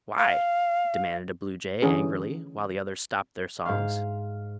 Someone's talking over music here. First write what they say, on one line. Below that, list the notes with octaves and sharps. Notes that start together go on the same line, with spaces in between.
"Why?" demanded a blue jay, angrily, while the others stopped their songs.
F5
D3 E3 C#4 G#4
G#2 F5